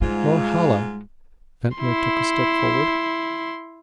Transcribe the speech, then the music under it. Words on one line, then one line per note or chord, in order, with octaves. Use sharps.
"Norhala." Ventnor took a step forward.
G#2 G3 G#3 F4
E4 C6